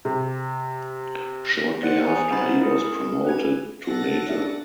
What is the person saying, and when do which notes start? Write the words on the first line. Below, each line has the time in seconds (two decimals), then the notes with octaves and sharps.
Shortly after, he was promoted to Major.
0.05 C3
1.83 C5 D5 F#5 F#6 A6 C#7
2.05 G#4 G#5 A#5
2.31 B3 D#4 C5 B5 A6
2.62 E4 G#4 A#4
3.24 C#4 B4 G#6
3.85 A4 F#5 A6 A#6
4.26 D4 D5 E5